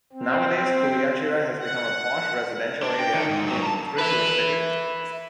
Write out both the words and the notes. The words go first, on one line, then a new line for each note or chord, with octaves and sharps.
Nowadays, Kuriachira has become a posh residential area in Thrissur city.
C4
F#5
D4
G5
D#3
G#2
G2 F#3
A5 A#5
B4 E5